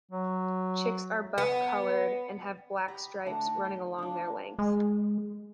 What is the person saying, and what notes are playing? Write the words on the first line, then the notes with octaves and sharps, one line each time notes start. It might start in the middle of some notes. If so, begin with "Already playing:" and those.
Chicks are buff coloured and have black stripes running along their length.
F#3
B3
G4 D#5 A#5 B5
D3 A3 F#5 A#5
D#4
D#5
D4 F4
G#3